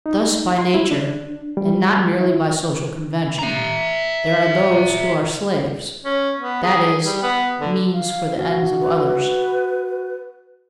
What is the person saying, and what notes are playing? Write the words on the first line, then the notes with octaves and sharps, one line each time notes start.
Thus by nature, and not merely by social convention, there are those who are slaves--that is, means for the ends of others.
D#4
C6
E4
D4
G3
E4
E5 A#5
C#4
B3
G#4
G3
B3
D3
F5
F#4
B4